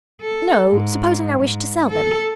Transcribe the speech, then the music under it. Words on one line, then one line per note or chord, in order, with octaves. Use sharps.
"No; supposing I wished to sell them."
A4
G#2
G#2
A4